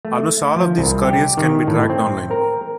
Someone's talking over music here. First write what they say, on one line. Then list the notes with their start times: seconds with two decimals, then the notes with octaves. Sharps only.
Almost all of these couriers can be tracked online.
0.05 A3
0.56 F3
0.78 C2
1.05 G4
1.37 D#3
1.67 A2
1.90 C4
2.31 A#4